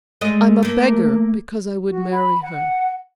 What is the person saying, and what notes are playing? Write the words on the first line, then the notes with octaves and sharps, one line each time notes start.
I'm a beggar because I would marry her.
G#3 A3 D#5
A3 A#3
F#4
B5
F#5